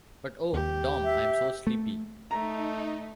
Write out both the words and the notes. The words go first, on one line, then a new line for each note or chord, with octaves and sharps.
But, oh, Dom, I’m so sleepy.
D#2 G4
E5
A3
A3 D#4 A#5